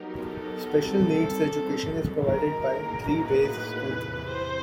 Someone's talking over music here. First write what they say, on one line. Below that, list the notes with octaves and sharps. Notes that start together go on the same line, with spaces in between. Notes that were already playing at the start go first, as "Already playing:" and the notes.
Special needs education is provided by Three Ways School.
Already playing: F#3 B3 D#4 G4 A#4
A4
D#3 G3 C4
F#2 D#3 G#3
A#4
A2 F#3 A#3 D#4 G#4
B4
E2 C3 E3
C5